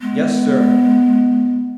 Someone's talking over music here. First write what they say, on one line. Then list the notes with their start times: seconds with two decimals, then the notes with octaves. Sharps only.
"Yes, sir."
0.01 G#3 B3